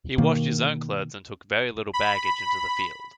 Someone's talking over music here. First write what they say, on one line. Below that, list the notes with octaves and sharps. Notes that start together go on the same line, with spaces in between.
He washed his own clothes, and took very little baggage into the field.
B2 D#3 A#3
B5